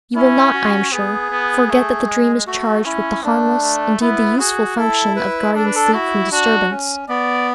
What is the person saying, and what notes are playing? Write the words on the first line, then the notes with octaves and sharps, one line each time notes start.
You will not, I am sure, forget that the dream is charged with the harmless, indeed the useful function of guarding sleep from disturbance.
C#4 E4
F#4
B3 G#4
B3
A3
G#3
A3 F#4
C#4 E4
A3 D4
A3
B3 E4
F#4 G#4
E4 A4
B4
D4 A4
B4
A4
E4 F#4
D4 F#4
C#4
B3 D5